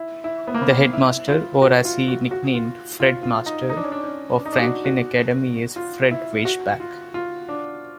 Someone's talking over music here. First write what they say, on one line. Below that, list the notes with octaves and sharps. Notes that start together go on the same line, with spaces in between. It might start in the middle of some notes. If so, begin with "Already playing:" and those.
The headmaster, or as he is nicknamed, "Fredmaster", of Franklin Academy is Fred Weissbach.
Already playing: E4
E4
B3
A#3
B3
C4
E4
F4
F#4
F4
F#4
F#4
F4
F4
F4
D#4
D#4
D4
C#4
D4
C#4
D4
D#4
D4
F#4
F#4
F4
E4
F#4
F4
F4
D4